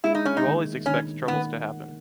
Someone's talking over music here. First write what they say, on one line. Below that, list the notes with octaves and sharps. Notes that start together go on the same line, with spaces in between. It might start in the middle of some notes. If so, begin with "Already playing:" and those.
You always expect troubles to happen.
G#3 E4
D#4
C#4
D#4
D#3
D#3 C#4
D#3 B3